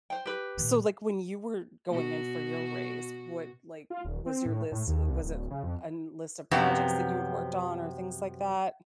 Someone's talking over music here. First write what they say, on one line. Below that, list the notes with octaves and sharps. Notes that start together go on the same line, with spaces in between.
So, like, when you were going in for your raise, what, like, was your list, uh was it an list of projects that you had worked on, or things like that?
C5 G5
G4 B4
A#2 D#3
B2 F#4
F4
D#1
C4
A2
A2
D#2
C2
D1
C#3
F2
F#2 C3 F3 B3 C4